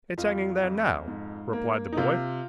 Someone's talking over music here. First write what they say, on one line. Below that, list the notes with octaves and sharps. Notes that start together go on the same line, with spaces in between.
'It's hanging there now,' replied the boy.
F2 F4
F2
G#2
A#3
D#4
C3 F4